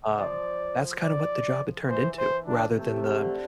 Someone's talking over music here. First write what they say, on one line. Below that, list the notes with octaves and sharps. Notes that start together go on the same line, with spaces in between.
Um, that's, kind of what the job had turned into, rather than the
F3 D5
D5
E3 C5
C5
D4
C3 A3
C3
D3